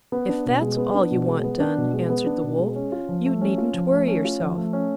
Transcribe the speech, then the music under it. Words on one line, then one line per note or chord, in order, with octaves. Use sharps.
'If that's all you want done,' answered the wolf, 'you needn't worry yourself.
B3
D4
B2
G#3
B3
D4
B2
G#3
B3
D4
B2
G#3
B3
D4
B2
G#3
C#4
F4
F3
A3
C#4
F4
F3
A3
C#4
F4
F3
A3
C#4